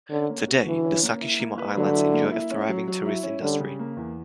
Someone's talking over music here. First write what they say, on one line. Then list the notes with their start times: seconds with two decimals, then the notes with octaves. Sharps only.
Today the Sakishima Islands enjoy a thriving tourist industry.
0.10 D3 C#4
0.29 A#3
0.48 F#4
0.66 D3 E3
0.84 C#4
1.03 A#3
1.21 E4
1.40 A#3
1.58 B4
1.76 D3 F#3
1.94 E4
2.13 A#3
2.31 E4
2.51 C#4
2.69 F#3
2.88 F#3
3.05 E4
3.23 C#4
3.42 D3 G3
3.60 C#3
3.79 A#3
3.97 E2